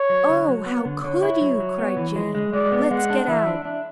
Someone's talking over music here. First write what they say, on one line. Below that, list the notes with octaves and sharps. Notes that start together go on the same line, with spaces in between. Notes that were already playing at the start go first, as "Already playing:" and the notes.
'Oh, how COULD you!' cried Jane. 'Let's get out.'
Already playing: C#5
F#3
D3
F#3
B3
D3
D3 C#5
E4
F#3
F#3
B3
E3
G#3
G#3
G#3 D5
B3
G#3 F#5
D4
E3 E5
D4
D4